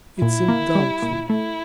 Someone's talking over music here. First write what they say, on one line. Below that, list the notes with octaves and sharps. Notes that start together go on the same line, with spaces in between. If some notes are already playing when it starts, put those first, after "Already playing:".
It seemed doubtful.
A#2 E4
A#3
G3
A#2
A3 E4